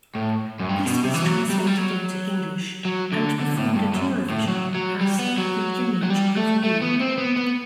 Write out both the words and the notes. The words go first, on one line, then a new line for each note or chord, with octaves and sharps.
This was translated into English, and performed at Eurovision as "The Image of You".
A2
F#2
G2
B2
C3
E3
F#3
G3
F#3
G3
F#3
F#3
D3
D3
A2
G2
F#2
A2
F#3
F#3
G3
B3
F#3
F#3
G3
A3
A3
B3
C4
B3
B3